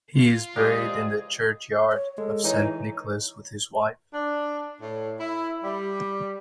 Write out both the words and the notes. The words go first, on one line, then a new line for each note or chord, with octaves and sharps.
He is buried in the churchyard of St Nicholas with his wife.
F4
E2 F3 G#3 G4 G#4 A#4 D5 D#5
C#5
G#3 A4
E3 D#4 C#5
D4
A2
E4
G3